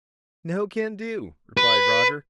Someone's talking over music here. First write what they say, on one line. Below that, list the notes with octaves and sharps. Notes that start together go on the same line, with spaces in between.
"No can do," replied Roger.
B4